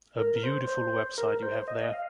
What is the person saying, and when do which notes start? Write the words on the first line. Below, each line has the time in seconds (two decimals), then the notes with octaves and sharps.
A beautiful website you have there.
0.18 A#4
0.43 C5
0.67 C5
1.18 A#4
1.43 C5
1.68 D#5
1.80 D#5
1.93 F5